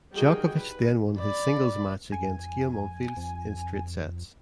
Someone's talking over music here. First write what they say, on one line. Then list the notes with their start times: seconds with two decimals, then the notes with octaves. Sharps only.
Djokovic then won his singles match against Gael Monfils in straight sets.
0.14 G3 D#4 F#4 G#4 A#4 G5
0.51 B4
1.19 D5 B5
2.12 F2 G#5
3.17 F2